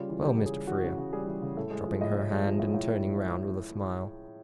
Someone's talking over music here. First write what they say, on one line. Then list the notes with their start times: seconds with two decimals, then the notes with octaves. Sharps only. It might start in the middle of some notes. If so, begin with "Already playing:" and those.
"Well, Mr. Frere," dropping her hand, and turning round with a smile.
Already playing: C#3 G3 F4
0.09 E3
0.24 C#3 G4
0.37 C#3 G4
0.46 G#4
0.54 G3
0.67 E3 F#4
0.83 C#3
0.98 C#3
1.13 G3 G#4
1.27 E3
1.42 C#3
1.57 A2 A4
1.71 G#3
1.86 F3
2.01 A2 D#5
2.15 A2
2.31 G#3
2.46 F3
2.59 A2
2.74 A2